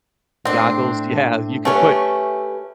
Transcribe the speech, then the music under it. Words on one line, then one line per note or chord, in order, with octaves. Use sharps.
goggles Yeah you could put
A2 C4 D4
A3 C#4 G4 B4 E5